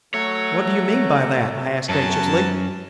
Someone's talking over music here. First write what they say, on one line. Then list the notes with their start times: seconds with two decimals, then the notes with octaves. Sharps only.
"What do you mean by that?" I asked, anxiously.
0.14 F#3 A3 C#5
1.89 F#2 F#3 B3 A5